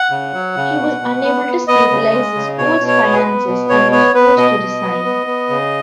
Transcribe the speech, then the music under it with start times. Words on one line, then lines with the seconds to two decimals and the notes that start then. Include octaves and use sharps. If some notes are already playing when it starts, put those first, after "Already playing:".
He was unable to stabilize the school's finances and was forced to resign.
Already playing: F#5
0.11 C#3
0.34 F#3
0.56 C#3
0.78 B2
1.01 B2
1.23 B3
1.46 B3
1.67 B3 D#5
1.91 C#3
2.12 G#3
2.35 C#3
2.58 B2 C#5
2.80 B2
2.88 C#5
3.03 B3
3.13 G#4
3.17 B4
3.25 B3
3.47 B2
3.69 B2 C#5
3.92 B3 C#5
4.15 B3 B4
4.37 B2 D#5
4.60 B2
4.82 B3
5.04 B3
5.27 B3
5.49 C#3